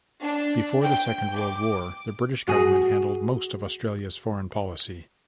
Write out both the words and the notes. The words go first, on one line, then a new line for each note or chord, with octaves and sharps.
Before the Second World War, the British Government handled most of Australia's foreign policy.
D4
G5
D6
F#4 G#4